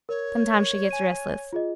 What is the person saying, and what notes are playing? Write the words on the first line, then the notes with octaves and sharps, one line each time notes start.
Sometimes she gets restless.
A#4 C#5
G#5 D#7
F4 G#4 D#5